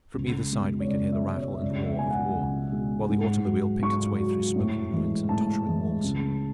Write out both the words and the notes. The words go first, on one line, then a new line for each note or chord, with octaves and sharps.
From either side we could hear the rattle and roar of war, while the automobile picked its way through smoking ruins and tottering walls.
C#2
B2 G#3
C#5
C#2 D5
E5
B2 G#3
C#5
E5
C#2 D5
E5
B2 G#3 G#5
F#5
C#2
B2 G#3
G#2
F#3
G#2 C#6
F#3
A2
E3 G#3
A2 A5
E3 G#3
C#2